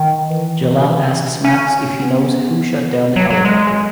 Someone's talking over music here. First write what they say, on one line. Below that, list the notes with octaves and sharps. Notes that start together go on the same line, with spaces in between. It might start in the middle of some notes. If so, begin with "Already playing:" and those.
Jalal asks Max if he knows who shot down the helicopter.
Already playing: D#3
E3
C#4
B3
F#3
F#3
G#3